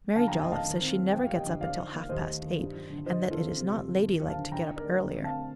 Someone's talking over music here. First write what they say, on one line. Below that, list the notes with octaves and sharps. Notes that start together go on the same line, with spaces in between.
Mary Jolliffe says she never gets up until half-past eight, and that it is not lady-like to get up earlier.
D3 F5 A5
F2 G5 A#5
D#5 G5
A3 F5 A5
D#3
C4
A3
F2 G5
G3 F5
D#5 G5
D3
F3 D5 F5
D#4
A#3
D#2 C5 D#5
A3
D#3
G2
F3
D3
F3 C5 D#5
D#4
F4 A4
C4
C3
F2
D#3
D#2
F3
F5 A5
D3
D3 G5 A#5
D#4
A#4 D5
A3
D3
C4
F5 A5
A3